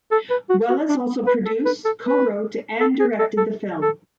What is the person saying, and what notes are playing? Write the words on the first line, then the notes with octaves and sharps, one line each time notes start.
Welles also produced, co-wrote and directed the film.
A4
B4
F#4
F#4
D4
B4
A4
B4
A4
B4
A4
G#4
A4
A4
A4